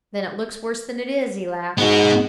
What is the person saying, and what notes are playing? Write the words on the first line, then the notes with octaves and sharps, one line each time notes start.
"Then it looks worse than it is," he laughed.
G#2 B3 F#4